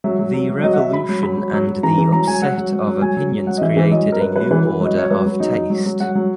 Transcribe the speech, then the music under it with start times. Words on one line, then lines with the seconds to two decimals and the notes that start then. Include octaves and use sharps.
The revolution and the upset of opinions created a new order of taste.
0.04 F#3 E5
0.19 F#3
0.34 F#3
0.49 F#3
0.63 F#3 D#5
0.73 F#5
0.78 F#3 E5
0.93 F#3 B5
1.09 F#3
1.23 F#3 B5
1.37 F#3
1.53 F#3
1.67 F#3
1.83 E3 A#5
1.98 E3
2.12 F#3 A#5
2.27 F#3 G#5
2.42 F#3 F#5
2.58 F#3
2.72 F#3
2.87 F#3
3.02 F#3 G#5
3.17 F#3
3.32 F#3
3.47 F#3 F#5
3.58 D#5
3.61 E3 E5
3.77 E3
3.91 F#3 D#5
4.06 F#3
4.12 A#4
4.21 F#3 B4
4.36 F#3 B4
4.51 E3 B4
4.66 E3
4.80 F#3 D#5
4.95 F#3 C#5
5.11 F#3 B4
5.26 F#3
5.40 F#3 D#4
5.56 F#3
5.70 F#3
5.86 F#3
6.00 F#3 F#5
6.15 F#3